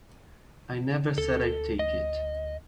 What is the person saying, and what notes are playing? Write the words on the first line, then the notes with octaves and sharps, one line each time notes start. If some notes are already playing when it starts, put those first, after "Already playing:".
I never said I'd take it.
D2 A4
D#5